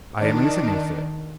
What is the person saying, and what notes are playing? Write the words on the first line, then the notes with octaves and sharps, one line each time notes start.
"I am listening, sir."
D#3 D4